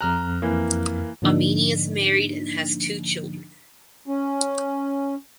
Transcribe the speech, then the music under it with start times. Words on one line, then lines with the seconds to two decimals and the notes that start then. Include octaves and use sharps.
Amini is married and has two children.
0.01 F2 A#5 F6 F#6
0.42 E3 A#3
1.22 G#2 D3 F3 A#3 D4 D#4
4.06 C#4